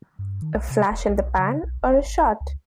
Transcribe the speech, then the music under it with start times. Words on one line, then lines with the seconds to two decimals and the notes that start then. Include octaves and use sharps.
A flash in the pan or a shot?
0.19 G2
0.42 D#3
0.55 B1
0.70 C3
0.91 E1
1.08 B1
1.39 C#3
1.63 B1
1.82 E1
2.06 G#1
2.41 C#2